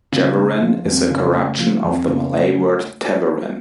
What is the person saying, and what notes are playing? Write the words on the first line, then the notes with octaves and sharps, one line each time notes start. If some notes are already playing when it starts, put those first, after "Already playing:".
'Jawaran' is a corruption of the Malay word "tawaran".
C#3
G#3
F3
F2
C#3
A3
F3
F2
C#3
A3